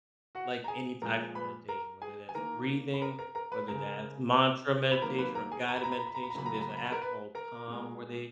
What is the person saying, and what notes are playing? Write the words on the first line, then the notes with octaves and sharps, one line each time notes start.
like, any type of meditation, whether that's breathing, whether that's mantra meditation, or guided meditation, there's an app called Calm where they
F#4 F#5
A#5
G#4 G#5
A#2 F3 G#3 A#4 A#5
B4 B5
A#4 A#5
G#4 G#5
G#5
D#3 A#3 A#4 A#5
B5
A#4 A#5
A#4 A#5
A#4 A#5
B4 B5
C#3 G#3 A#4 A#5
B5
D#3 F#3 A#3 A#4 A#5
B4 B5
A#4 A#5
G#4 G#5
A#5
B5
A#5
B5
A#5
B5
A#5
B5
A#5
C#3 F#3 A#3 B5
A#5
B5
A#5
B5
A#5
B5
A#4 A#5
B4 B5
A#4 A#5
A#2 G#3